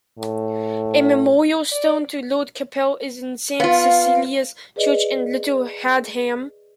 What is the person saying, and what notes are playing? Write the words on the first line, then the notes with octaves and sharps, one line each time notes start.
A memorial stone to Lord Capell is in Saint Cecelia's Church in Little Hadham.
A2
D5
B3 F4 F5
G#4 B4 D5 D#5